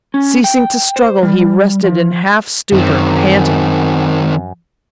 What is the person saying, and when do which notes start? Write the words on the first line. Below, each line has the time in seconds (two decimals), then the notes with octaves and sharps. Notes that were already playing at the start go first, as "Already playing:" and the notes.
Ceasing to struggle, he rested in half stupour, panting.
0.14 C#4
0.44 G5
0.96 C5
1.23 G3
1.84 F3
2.72 F#2 D#3 C4